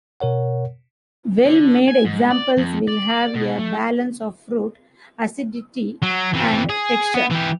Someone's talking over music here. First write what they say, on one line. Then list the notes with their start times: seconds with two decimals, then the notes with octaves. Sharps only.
Well made examples will have a balance of fruit, acidity and texture.
0.20 B2 A#4 C#5 F#5
1.46 D3
1.88 G#5
2.05 G#2
2.30 D5
2.58 F2
2.88 D5
3.34 B2
3.58 A3
6.03 F#3
6.34 E3 C4
6.70 G#4
7.14 B3
7.31 E3 G4